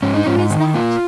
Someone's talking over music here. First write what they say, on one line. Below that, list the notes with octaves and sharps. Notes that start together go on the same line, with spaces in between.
And who is that?
G#2 C#4
D#4
G#2 C#4
D#4
D#3
A#3 F4